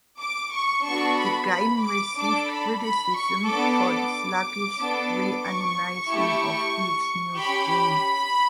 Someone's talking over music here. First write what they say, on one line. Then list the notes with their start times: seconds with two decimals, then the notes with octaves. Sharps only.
The game received criticism for the sluggish reanimation of each new screen.
0.21 D6
0.53 C#6
0.86 B3 D4 F#4 A4 C#6
1.19 B5
1.52 B5
1.85 D6
2.17 D4 A4 D6
2.50 B5
2.83 B5
3.15 C#6
3.48 B3 D4 A4 D6
4.80 B3 D4 A4
5.45 C#6
6.11 A3 E4 G4
7.41 C#4 G4 B5